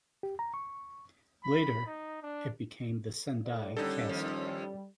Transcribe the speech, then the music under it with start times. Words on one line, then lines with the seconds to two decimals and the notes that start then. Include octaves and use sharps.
Later, it became the Sendai castle.
0.23 G4
0.39 A#5
0.54 C#6
1.43 B5
1.86 D#4
2.22 D4
3.46 A2 D5
3.77 A2 D3 D#3 G3 C#4 D#4 A4
4.09 D#2 F3